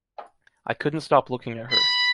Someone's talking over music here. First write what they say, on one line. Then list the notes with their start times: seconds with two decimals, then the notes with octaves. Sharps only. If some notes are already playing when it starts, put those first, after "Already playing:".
I couldn’t stop looking at her.
1.71 B5